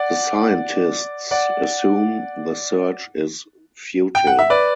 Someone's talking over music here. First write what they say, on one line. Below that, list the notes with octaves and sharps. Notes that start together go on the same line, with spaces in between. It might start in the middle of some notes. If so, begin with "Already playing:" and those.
The scientists assume the search is futile.
Already playing: D5 F#5
D5 F#5
G5
F#5
E5
B4 D5